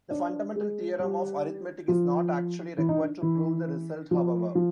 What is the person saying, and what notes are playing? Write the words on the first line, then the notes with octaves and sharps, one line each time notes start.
The fundamental theorem of arithmetic is not actually required to prove the result, however.
D4 D5
G#3 G#4
G3 G4
F3 F4
E3 E4
D#4
D4
E3 E4
F3 F4
F3 F4